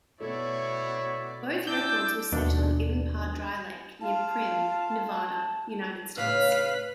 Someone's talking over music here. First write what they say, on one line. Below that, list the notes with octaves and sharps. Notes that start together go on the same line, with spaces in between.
Both records were set on Ivanpah Dry Lake near Primm, Nevada, United States.
B2 A3 E4 C#5 D5
D4 E4 A5 D6 E6 G6
D#2 B2 D4
F4 F5 A5
A2 C#3 C#4 B4 F5 B6